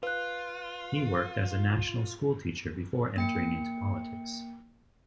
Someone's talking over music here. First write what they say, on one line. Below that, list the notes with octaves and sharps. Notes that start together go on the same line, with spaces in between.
He worked as a national school teacher before entering into politics.
F4 B4 F#6
A#3 G5 C#7